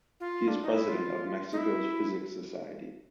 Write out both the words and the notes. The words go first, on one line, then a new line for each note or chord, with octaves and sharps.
He is president of Mexico’s Physics Society.
F4
D4
D#4
E4
F4
D#4
E4